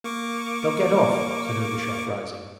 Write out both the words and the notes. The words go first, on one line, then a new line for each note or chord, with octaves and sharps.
They'll get off,' said Ergushov, rising.
A#3 C#6 D6